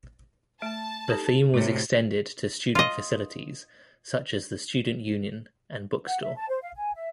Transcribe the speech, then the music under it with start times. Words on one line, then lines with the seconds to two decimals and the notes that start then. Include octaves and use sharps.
The theme was extended to student facilities such as the student union and bookstore.
0.62 A3 A5
1.08 D#4 G4 A4
1.54 A2 C3 F#4 C#5
2.75 F4 D#5
6.06 F#5
6.21 E5
6.36 A5
6.49 C5
6.62 F5
6.75 G#5
6.95 E5